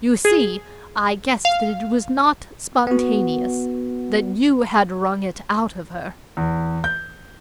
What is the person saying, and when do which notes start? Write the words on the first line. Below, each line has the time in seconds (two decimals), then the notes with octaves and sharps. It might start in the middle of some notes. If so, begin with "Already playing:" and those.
"You see, I guessed that it was not spontaneous; that you had wrung it out of her."
0.25 G#4
1.45 F5
2.87 B3 F#4
6.37 E2
6.84 G6